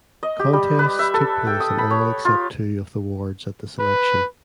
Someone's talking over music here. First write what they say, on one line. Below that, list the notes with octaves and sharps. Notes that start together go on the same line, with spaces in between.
Contests took place in all except two of the wards at this election.
D#5
G4
G3
B4
E5
A4
G5
D#6
B5
C#5
F4
B4